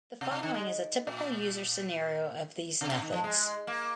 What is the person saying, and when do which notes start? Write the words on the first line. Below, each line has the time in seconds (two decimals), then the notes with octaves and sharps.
The following is a typical user scenario of these methods.
0.21 C3
0.31 C3
0.43 D#3
0.54 G#3
1.07 A#2
2.81 C3
2.91 C3
3.02 D#3
3.12 F3
3.24 G#3
3.67 A#3